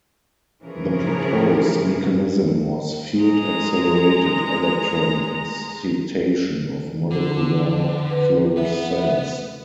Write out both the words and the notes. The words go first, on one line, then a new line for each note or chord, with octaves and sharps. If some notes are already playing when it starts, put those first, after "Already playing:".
The proposed mechanism was field-accelerated electron excitation of molecular fluorescence.
C#3 E3 F3 C#4 G#4 A#4
G#3 A#5
D3
B4
B3 B4 E5